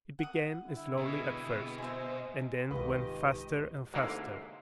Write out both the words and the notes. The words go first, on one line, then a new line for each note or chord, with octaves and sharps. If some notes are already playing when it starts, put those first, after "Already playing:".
It began slowly at first and then went faster and faster.
F#5 D#6
D3 G3 E4
B2 G#4
C5 D#5 E5 G#5
C2 G#2 D#3 E4 F4 G4 B4 D#5
D2 G#2 C3 A#3 E4 F5